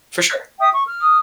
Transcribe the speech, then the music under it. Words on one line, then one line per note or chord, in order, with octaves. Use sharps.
For sure.
E5 G5 D#6
C#6
F6
D#6